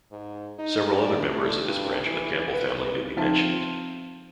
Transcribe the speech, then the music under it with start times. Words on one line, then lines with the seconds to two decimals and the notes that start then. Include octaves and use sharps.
Several other members of this branch of the Campbell family may be mentioned.
0.12 G#2
0.58 D#4
0.91 D5
1.30 A3
1.63 G2
2.04 E3
2.53 B4
3.17 F3 C4 D#4 F4 E5 A5